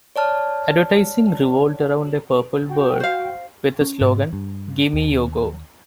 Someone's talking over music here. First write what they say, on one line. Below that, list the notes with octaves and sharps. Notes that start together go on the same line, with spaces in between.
Advertising revolved around a purple bird with the slogan "Gimme Yogo!".
C#5 D5 A5 F6
F#4 G5
C5 F5
C#4
G#2
G2
D#2